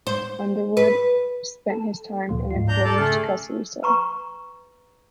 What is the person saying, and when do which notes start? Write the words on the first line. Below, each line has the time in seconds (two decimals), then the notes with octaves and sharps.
Underwood spent his time in a closed custody cell.
0.07 C5
0.77 B4
1.70 A4
2.29 D2 A#2 F3
2.51 G#2 F4
2.68 D4 A#5 G6
2.85 A4 D5 A5
2.98 C#3 A3 G#4 A4 F6
3.83 B4 A#5 C#6